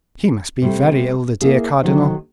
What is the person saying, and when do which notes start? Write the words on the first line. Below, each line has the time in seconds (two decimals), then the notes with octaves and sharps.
"He must be very ill, the dear cardinal!"
0.62 C3 G3 A3
1.41 A#3 E4 G#4
1.82 C3 D#3 F#3 A3